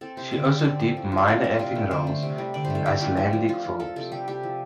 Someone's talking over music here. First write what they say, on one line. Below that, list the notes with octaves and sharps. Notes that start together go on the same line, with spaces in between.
She also did minor acting roles in Icelandic films.
C4 A4
C3 C5
D3 A4
D3 G4
A4
C4
C4
F3
F3
D4
C4 F4
C4 D4
C3 F4
A3
D3 C5
A3
C3
G3
D3 D5
C5
A3
A4
G3 G4
C4 F4
F3 D4
F3
F3 F4
F3
F3 A4
C3 A4
G3 G4
C3 G4
F3